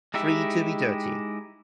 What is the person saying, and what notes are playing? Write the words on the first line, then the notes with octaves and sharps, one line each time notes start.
Free to Be Dirty!
G#3 D#4 E4 G4 E5